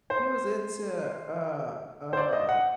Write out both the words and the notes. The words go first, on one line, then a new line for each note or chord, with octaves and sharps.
she was into, uh uh
C5
C5
D5
D#5
F#5